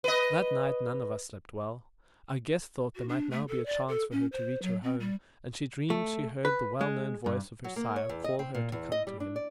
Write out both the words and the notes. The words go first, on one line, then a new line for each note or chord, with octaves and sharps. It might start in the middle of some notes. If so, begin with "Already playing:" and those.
That night none of us slept well; our guest thought there might now be a chance for her to reach her home, and she dreamed she heard the well-known voice of her sire call her to come to him.
B4 D#5
F#4
D4
A3
A4
D5
A4
C#4
C5
F#3
C4
G3
A3
B4
G#3
G2
F#3
A#3
C#5
E2
D#5
C4
A#2
E2
D#5
G3
D4
D5